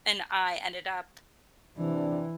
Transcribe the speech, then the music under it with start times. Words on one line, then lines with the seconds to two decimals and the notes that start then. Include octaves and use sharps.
and I ended up
1.77 C3 E3 D4